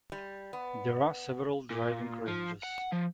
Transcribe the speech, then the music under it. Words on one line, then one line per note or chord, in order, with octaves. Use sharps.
There are several driving ranges.
G3
B3
A#2
F3
F#5
F3